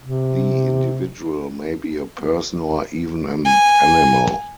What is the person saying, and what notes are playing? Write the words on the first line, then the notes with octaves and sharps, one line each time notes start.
The individual may be a person, or even an animal.
C3
G#5